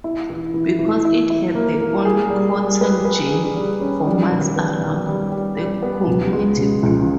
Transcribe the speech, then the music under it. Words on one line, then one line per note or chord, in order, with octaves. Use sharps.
Because it had the only cotton gin for miles around, the community grew.
E4
E3
E3
E3
E4
E4
A#3
A#3
G#4
G3
G3
B4
B4
G#4
G3
C#4
G3
D#3
B3
D#3
G3
G3
G3
B3
C#2
G#3
C#3
C#2